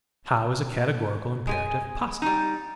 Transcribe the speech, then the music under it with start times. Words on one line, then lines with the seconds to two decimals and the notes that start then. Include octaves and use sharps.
How is a Categorical Imperative Possible?
1.47 G#3 G#4 G#5
2.22 G3 D#4